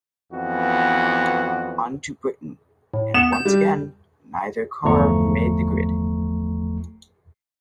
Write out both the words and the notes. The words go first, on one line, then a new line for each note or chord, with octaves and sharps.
On to Britain and once again neither car made the grid.
F2 E3 B3 F#4
A2
B3 E7
G6
G3
G1 E2 F3 A3 A#5 C#6